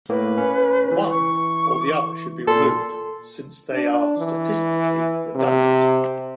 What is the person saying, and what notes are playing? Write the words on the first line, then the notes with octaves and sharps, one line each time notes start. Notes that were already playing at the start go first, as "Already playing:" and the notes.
One or the other should be removed since they are statistically redundant.
A2 A#3 B4
C#4
E3
C#6
A#2 A4 C6
D4
E3
C3